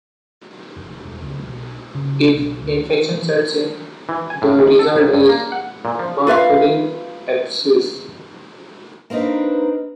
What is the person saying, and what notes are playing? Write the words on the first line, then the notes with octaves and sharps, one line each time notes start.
If infection sets in, the result is a Bartholin's abscess.
F1
E1
C#2
B1
C#3
B1
D2
E3
G#5
A2
D#2
A4
C2
G2
A#3
F#5
A#2
F3
F4 B4 E5 F5
A#3 C4 D4 D#4 B4